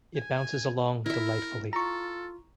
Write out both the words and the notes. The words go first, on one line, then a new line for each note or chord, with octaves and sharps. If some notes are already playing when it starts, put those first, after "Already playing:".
It bounces along delightfully.
G#5
E4 A#4 E5
F4 A4 A#5 C#6